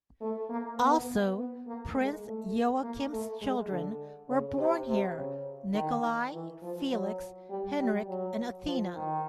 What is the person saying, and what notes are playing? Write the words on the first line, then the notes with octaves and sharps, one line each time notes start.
Also Prince Joachim's children were born here: Nikolai, Felix, Henrik and Athena.
A3
A#3
B3
B3
A#3
G#3
A3
A#3
A3
G#3
D3
C#3
C3
C3
C#3
D#3
E3
F3
F#3
G3
G3
F#3
F3
D#3